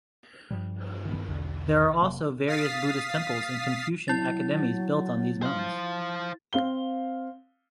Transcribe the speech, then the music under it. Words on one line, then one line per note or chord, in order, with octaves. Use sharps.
There are also various Buddhist temples and Confucian academies built on these mountains.
G2 F3 G3
D#3 B3
B1 E2 D3
F1 C3 A#3
F5 D#6 A6 B6 C7
F#3 E4 A6
C5 F5
C4 F5 G7